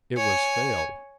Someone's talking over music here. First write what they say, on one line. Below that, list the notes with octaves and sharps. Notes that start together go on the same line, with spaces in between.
"It was Fayle."
C#5 G#5